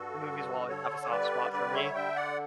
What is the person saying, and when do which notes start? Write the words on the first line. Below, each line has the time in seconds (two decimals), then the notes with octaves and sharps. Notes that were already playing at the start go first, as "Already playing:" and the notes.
the movies will always have a soft spot for me.
Already playing: G2 F#4 A4
0.27 D3
0.69 D3 A4 C#5
1.03 C#5
1.11 G3 B4 D5
1.53 D3 B4 D5
1.74 C#5 E5
1.95 D3 E5 G5
2.16 D5 F#5